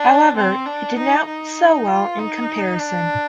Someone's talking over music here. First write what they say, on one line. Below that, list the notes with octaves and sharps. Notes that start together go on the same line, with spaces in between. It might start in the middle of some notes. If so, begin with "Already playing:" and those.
However, it did not sell well in comparison.
Already playing: D4
C4
D4
D#4
D#4
F4
D#4
D4